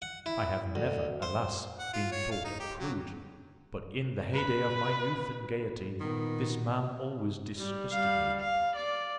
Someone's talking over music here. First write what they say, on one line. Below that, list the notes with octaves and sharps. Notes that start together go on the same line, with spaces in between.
I have never, alas! been thought a prude, but in the heyday of my youth and gaiety, this man always disgusted me.
F#5
E4
D2
C5
F#5
F4
C#5
F5
D#4
G4
F#3
B4
A#2 D#3 B3
G3
G3 F5
F5
D5